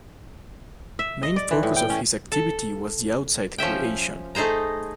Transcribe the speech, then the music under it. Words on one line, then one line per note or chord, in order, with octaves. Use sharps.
Main focus of his activity was the outside creation.
E5
D#5
D5
E3
A2
G5
C#4
A4
F3 C#4 E5 G5
A3 D#4 G#4 C5 A#5